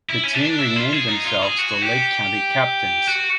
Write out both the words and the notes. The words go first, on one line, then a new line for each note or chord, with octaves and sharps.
The team renamed themselves the Lake County Captains.
E4
C#4
D4
E4
F4
G#4
D#4
F4
G#4
F#4
G4
F#4